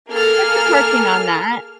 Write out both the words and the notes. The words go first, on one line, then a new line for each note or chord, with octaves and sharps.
I've been working on that.
A#3 G#4 A4 F6